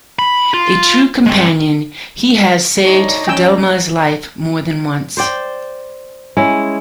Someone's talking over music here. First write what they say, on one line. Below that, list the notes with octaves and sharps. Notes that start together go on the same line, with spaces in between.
A true companion, he has saved Fidelma's life more than once.
B5
F4
G#3 C4
D2 D4 D#4 C#5
C#4 G5 G#5 E6
C5 D5 G5
G#3 C#4 E4